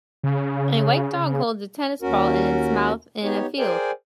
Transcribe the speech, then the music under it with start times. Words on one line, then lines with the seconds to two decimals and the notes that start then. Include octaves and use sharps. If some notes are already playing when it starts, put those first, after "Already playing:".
A white dog holds a tennis ball in its mouth in a field.
0.23 C#3
2.02 D#2 C#4 F#4 A#4
3.23 B3 D#4 G4 C#5
3.58 G#4 A#4 C5 D5 G5 G#5